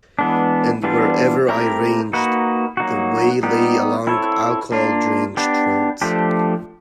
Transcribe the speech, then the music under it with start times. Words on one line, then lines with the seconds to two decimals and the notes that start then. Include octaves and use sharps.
And wherever I ranged, the way lay along alcohol-drenched roads.
0.19 E3 G#3 B3 D4
0.84 E3 G3 B3 D4 F4
1.49 A3 C4 E4 G4 A#4
2.13 A#3 D#4 F#4 B4
2.77 F#3 A#3 D#4 F#4
3.43 G3 B3 D#4 G4
4.07 C4 E4 A4 C#5
4.72 A#3 D4 F4
5.37 B3 D4 G4
6.01 F3 A3 D4 G4 C5